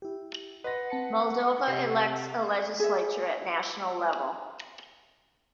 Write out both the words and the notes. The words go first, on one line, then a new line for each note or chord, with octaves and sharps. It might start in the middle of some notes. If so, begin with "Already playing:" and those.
Moldova elects a legislature at national level.
E4 G4
B4 D#5 F#5 C6 A#6
C4 A5 C#7
C3 C7
G#4 E5